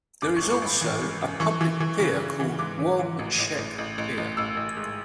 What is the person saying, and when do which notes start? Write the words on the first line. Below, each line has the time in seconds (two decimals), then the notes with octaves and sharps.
There is also a public pier called "Wong Shek Pier".
0.22 F#2 D6
0.36 C#6
0.41 G#1
0.51 C#6
0.62 G#1 B5
0.81 E3
1.01 G#1
1.21 F#2
1.40 E3 C#6
1.61 E3
1.80 E3
2.00 C#3
2.20 C#3
2.40 E3
2.59 G#2 D6
2.79 E3
2.99 E3
3.19 A1
3.38 A1
3.58 A1
3.78 A1
3.98 A1
4.18 A1
4.37 A1 E6
4.57 A1
4.77 G#2